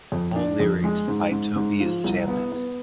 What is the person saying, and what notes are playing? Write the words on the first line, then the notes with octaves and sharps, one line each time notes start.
All lyrics by Tobias Sammet.
F2
D4
F2
G#3
G#2
G#2
G#2
F3
C2
B3
B3